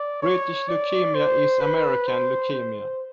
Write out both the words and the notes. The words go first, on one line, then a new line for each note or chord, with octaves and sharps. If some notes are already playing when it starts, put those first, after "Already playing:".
British leukaemia is American leukemia.
Already playing: D5
C#5
D5
C5
B4
C5
C5